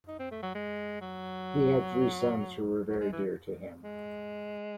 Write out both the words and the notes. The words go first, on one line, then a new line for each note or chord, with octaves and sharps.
He had three sons who were very dear to him.
D#4
C4
A3
F#3
G#3
F#3
F#3
G#3
E3
G#3